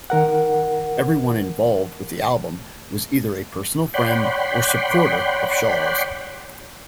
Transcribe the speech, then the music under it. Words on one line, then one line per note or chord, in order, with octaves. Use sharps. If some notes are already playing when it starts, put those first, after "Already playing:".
Everyone involved with the album was either a personal friend or supporter of Shaw's.
D#3 A#4 F#5
C#5 D5 F#5 G5 B5 C6